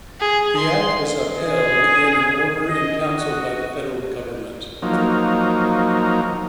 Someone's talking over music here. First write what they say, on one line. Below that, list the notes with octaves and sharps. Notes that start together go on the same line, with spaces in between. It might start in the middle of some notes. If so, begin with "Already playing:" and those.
The act was upheld in an Order in Council by the federal government.
G#4
C6
G#4
D#5
F#4
F3 F#3 A#3 D#4